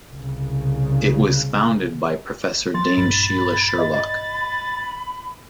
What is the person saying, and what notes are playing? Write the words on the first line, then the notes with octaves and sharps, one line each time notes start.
It was founded by Professor Dame Sheila Sherlock.
C2 C#3
F3 C6 A6
A#1 G2 B5
D#5
D#5 B5